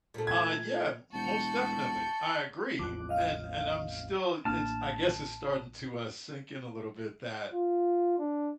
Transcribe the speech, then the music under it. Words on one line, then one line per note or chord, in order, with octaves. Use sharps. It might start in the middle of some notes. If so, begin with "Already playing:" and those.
Uh, yeah, m m most definitely, I agree, and and I'm still it's I guess it's starting to, uh, sink in a little bit that
A#2 A3
G#6
E1 F#4 A5 G6 C#7
A1 E2 F3 D6 F#6
D#5 F5 F6
A1 A#3 D4 A5 F6
F4
D4